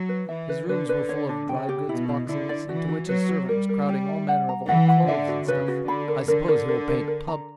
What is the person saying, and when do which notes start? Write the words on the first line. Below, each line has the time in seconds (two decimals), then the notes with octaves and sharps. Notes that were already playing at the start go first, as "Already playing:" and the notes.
His rooms were full of dry goods boxes, into which his servant was crowding all manner of old clothes and stuff: I suppose he will paint 'Pub.
Already playing: F#3
0.09 B4
0.29 E3 E5
0.49 B4
0.69 D3 B4
0.89 B4
1.09 C#5
1.29 D4
1.49 C#3 G5
1.69 G4
1.88 B2 E4
2.09 E4
2.29 D3 E4
2.49 D5
2.69 E3 F#4
2.89 F#4
3.08 F#3 B4
3.29 F#4
3.49 G3 A#4
3.69 A#4
3.89 G4
4.09 E5
4.28 F#5
4.49 A#5
4.68 E3 F#5
4.88 F#5
5.08 D3 E5
5.28 F#4
5.48 C#3 B4
5.68 F#4
5.88 D3 B5
6.08 A#4
6.28 D3 A#4
6.48 A#4
6.68 A#4
6.88 A#4
7.08 A#4
7.28 A#5